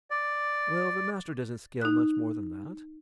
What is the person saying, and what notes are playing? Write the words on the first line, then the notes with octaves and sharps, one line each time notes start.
"Well, the Master doesn't scale much more than that."
D5
D#4 F#6